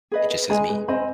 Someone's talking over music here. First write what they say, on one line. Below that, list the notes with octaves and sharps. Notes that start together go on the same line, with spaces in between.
It just says, "meat."
G#4 B4 D#5
B4
G#3 D#5 G#5 B5
G#3 B4
C4 D#5 G#5 B5